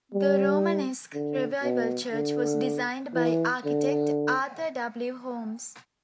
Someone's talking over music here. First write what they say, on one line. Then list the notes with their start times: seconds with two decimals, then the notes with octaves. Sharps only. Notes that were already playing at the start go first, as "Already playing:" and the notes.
The Romanesque Revival church was designed by architect Arthur W. Holmes.
0.14 G3
1.13 D3
1.63 B2
2.13 D3
3.14 E3
3.65 D3